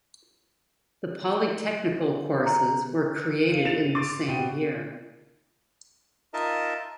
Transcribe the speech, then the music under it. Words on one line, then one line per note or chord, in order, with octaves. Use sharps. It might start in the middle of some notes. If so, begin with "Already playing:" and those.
The polytechnical courses were created in the same year.
A#5
F5 D#7
A6 E7 F7
C6 D6 A6
B2 G5 D#7
D#4 F4 A#4 D#5 E5 A5